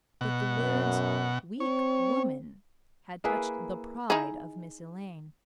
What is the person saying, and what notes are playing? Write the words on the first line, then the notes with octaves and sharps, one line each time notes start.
But the words "weak woman" had touched the pride of Miss Elaine.
B2 F#5
F#2
C4 C#5
A#3 E4 G#4 B4
D#4 E4 G#4